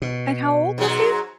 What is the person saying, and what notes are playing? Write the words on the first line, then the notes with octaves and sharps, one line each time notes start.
And how old was he?
B2
G#2 F#3